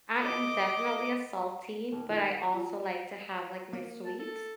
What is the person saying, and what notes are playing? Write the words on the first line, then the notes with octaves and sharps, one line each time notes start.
I am definitely a salty, but I also like to have, like, my sweets,
D#5 D6
D#2
D#3
F#5
F3
A#3
A5
A4